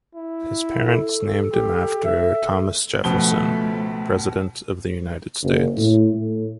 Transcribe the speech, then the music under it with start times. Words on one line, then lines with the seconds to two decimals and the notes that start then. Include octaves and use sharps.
His parents named him after Thomas Jefferson, President of the United States.
0.15 E4
0.84 A4
1.53 G4
2.05 E5
3.04 C#2 B2 F3 A3 G7
5.43 F#1
5.77 A2
6.14 A2